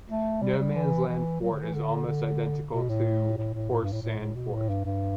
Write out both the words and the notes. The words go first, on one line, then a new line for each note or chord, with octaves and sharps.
No Man's Land Fort is almost identical to Horse Sand Fort.
A3
G3
G3
E3
E3
F#3
D3
E3
D3
D3
B2
A2
A2
A2
A2
G2
A2
A2
A2
B2
A2
G2
G2